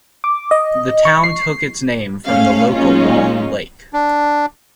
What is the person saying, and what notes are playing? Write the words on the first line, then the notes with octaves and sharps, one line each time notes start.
The town took its name from the local Long Lake.
D6
D#5
C#6
C7
G#2 A3 C#4 F5
F#3 G#3 A#3 C#4 D#4 F4
D4